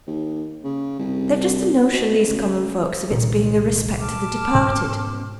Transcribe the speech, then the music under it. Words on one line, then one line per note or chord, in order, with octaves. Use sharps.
They've just a notion, these common folks, of its being a respect to the departed.
D#2
C#3
C2
B2
C#3
C2 A#2 D#3 G3
A5 D6 F6
G#2 B2 C#4